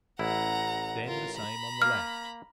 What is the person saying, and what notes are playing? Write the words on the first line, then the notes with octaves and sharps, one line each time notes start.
Then the same on the left.
A1 E4 F#5 A#5
F4 A#4
A#5 B5
A#3 F6